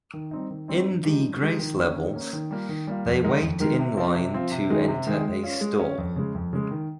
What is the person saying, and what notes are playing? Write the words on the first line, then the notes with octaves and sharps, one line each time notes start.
In the Grace levels, they wait in line to enter a store.
D#3
G3 C4 D#4
D#3
G3 C4 D#4
G2
F3 G#3 D#4 G4
G2
F3 G#3 D#4 G4
D#3
A#3 C#4
D#3
A#3 C#4
D#3
G3 A#3 F4
D#3
G3 A#3 F4
F2
D#3 G#3 D#4 A#4
F2
D#3 G#3 D#4 A#4
C3
F3 C4 F4
C3
F3 C4 F4
C3
D#3 G#3 D#4 G#4
C3
D#3 G#3 D#4 G#4
G#3
C#4 F4
G#3
C#4 F4
F2
C#3 G#3
F2
C#3 G#3
D#3